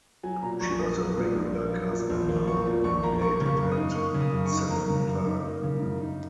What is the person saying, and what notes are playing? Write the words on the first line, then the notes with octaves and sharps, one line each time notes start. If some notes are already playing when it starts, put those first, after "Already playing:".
She was a regular cast member on "Related" and "Samantha Who?".
F#3 G#5
A#2 A#5
A#1 C#6
A#3 D#6
F#3
A#2
A#1
A#3
F#3
A#2
A#1
A#3
F#3 C#6
A#2
A#1 C#6
A#3 A#5
A#3 C#6
C#3
C#6
F#2
D#6
D#4
A#3 C#6
C#3
D#6
F#2
C#6
D#4
A#3 A#5
C#3
F#2
D#4
A#3
C#3
F#2
D#4